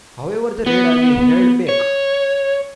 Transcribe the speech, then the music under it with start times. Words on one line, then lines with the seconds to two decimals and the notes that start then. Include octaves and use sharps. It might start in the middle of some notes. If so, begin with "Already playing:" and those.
However, the Red Army held back.
0.66 B3
1.69 C#5